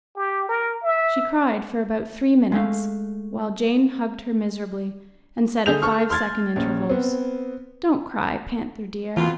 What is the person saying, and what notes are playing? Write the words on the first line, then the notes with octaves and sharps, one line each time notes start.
She cried for about three minutes, while Jane hugged her miserably and said at five-second intervals, 'Don't cry, Panther dear!'
G4
A#4
E5
G#3 A3 F5
D3 G#4 G6 F7
A4 C#6 F6
C6 F6 G#6 A6
A#1 C#4
B3 C4
F2 B2 E3 F4